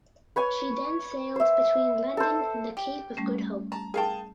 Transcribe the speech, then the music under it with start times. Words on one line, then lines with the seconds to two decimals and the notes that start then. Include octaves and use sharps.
She then sailed between London and the Cape of Good Hope.
0.36 B4 C#5 G#5
1.36 C5 E5
2.17 A4 C5
2.77 G4
3.17 G3 A3 C#4
3.72 A5 A#5
3.94 G#4 A#4 F5 G5 A5